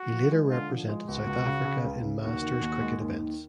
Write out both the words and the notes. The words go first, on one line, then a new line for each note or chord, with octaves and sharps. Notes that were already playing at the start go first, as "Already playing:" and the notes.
He later represented South Africa in Masters cricket events.
Already playing: F#4
F3
G#3
D3 F4
F3
G#3
C#2 F#4
C#2
C#3
C#3
C#2
C#3
D#2 F#4
D#3
D#2
G#3
D#2
D#3